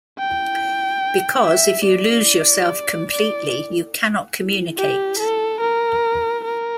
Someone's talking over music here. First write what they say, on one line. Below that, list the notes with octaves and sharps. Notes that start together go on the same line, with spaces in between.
Because if you lose yourself completely, you cannot communicate.
G5
E5
D5
D5
G4
A4
A#4
A#4